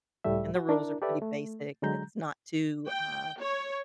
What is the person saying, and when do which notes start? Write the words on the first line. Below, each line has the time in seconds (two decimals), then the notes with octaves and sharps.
And the rules are pretty basic and it's not too, uh,
0.24 C#2 A2 G3 A3 E5
0.55 F#4
0.69 D4 E4 A#4
1.02 G4 A4 B4 D5 E5
1.22 A3
1.82 D3 F#3 G#3 A#5 G6
2.88 G5
3.40 C#5